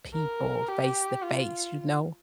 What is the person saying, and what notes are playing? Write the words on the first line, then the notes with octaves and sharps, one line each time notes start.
people face to face, you know?
A#4
G4
F4